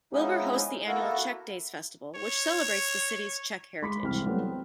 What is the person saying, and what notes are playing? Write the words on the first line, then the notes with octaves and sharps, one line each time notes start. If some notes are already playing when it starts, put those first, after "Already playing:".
Wilber hosts the annual Czech Days festival which celebrates the city's Czech heritage.
F3 G#3 B3 C#4 D#4 E4
A#3 B3 E4 F#4 A4 A#4
C#5
G#3 B5 C6 D6 B6
C2 E3 G#3 C4 F6
F#3 G3 A3 B3 C4
C4